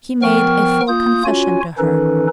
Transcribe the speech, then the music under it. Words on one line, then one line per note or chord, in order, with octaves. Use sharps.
He made a full confession to her.
F3 B3 A#4 G5 C#6 F6
A#3 F4 D#6 G6
C#4 F4 F#4 C#5 G#5
D#3 E3 C#4 D#4 A4 B4